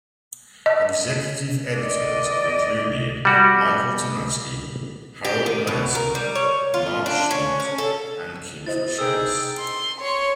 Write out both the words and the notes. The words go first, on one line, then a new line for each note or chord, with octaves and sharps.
Executive editors have included Michael Tomasky, Harold Meyerson, Mark Schmitt, and Kit Rachlis.
D#5
D5 D#5
G3 F#4 G4
G4
D#3
B2
A#4
G3
C#5
F4
D4
C#4
C#4
A4
E4 C5 D#5 A6
D#4 G#4 G5 E6
C6
C#5 C6